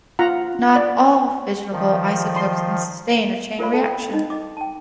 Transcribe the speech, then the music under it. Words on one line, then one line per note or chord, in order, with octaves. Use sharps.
Not all fissionable isotopes can sustain a chain reaction.
F4 F#5 A#5
D5
D#3 F3
C6
F4 A#4 C5 D5 F5 B5
A4 A5
G5
D#4 D#5
D#5 D6
G5 A5